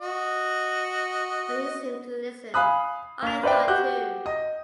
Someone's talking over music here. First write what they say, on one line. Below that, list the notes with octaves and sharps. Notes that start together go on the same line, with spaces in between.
But he seemed to listen, I thought, too.
F#4 D#5
F5 G#5 B5 D#6 F#6
A#3 F7
B4 C5 D5 E5 G5
F#4 G4 F#6 G6
D#5 A#6